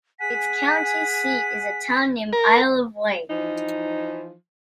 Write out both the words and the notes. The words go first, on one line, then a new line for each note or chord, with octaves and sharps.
Its county seat is a town named Isle of Wight.
G#4 F#5 G#5 B6
A#4
E3 F3 D#4